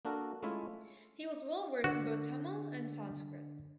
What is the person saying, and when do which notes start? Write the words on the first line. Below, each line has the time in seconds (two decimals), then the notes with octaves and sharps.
He was well versed in both Tamil and Sanskrit.
0.05 A#3 D4 F#4 A4 A#4
0.43 G#3 A3 C#4 E4 F4 E5
1.84 D3 F#4